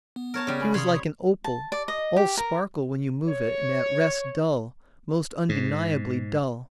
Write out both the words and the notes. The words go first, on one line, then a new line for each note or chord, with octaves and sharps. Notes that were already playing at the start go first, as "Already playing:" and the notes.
She was like an opal--all sparkle when you move it, and at rest dull, most undeniably dull.
B3
A#4 C#5 A5
C#3 G3
G#5 B5
C3 C#5 B5 C6 D#6
A5
D5
D#5
G4
A#4
C#5
G#2